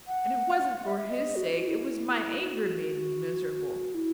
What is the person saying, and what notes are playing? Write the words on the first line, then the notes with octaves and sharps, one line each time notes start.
And it wasn't for his sake, it was my anger made me miserable.
F#5
E5
D#5
F#4
F#4
E4
F#4
E4